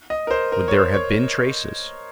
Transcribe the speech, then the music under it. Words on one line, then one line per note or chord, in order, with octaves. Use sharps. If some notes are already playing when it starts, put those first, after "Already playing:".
"Would there have been traces?"
D#5
A#4
C5
A#4
C#5
C5
C#5